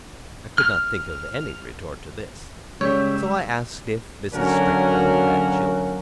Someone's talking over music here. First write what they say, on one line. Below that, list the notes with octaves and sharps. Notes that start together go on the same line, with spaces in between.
I could not think of any retort to this, so I asked if Mrs. Strickland had children.
F6
C#3 G3 G#3 G4 C#5 E6
D3 F#3 A#3 C#4 F#4 A#4